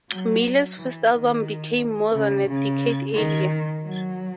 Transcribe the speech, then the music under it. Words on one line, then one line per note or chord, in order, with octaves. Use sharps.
Miller's first album came more than a decade earlier.
F#3
E3
D#3
C#3
C#3
D#3
F#3